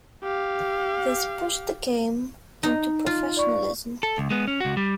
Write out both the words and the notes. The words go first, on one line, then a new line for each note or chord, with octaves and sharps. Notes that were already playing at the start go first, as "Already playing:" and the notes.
This pushed the game into professionalism.
G4 F5
D#4
F4
D5 B5 C#6
A4
C#2
G#3 B3
C#4
C#2 F#4
G3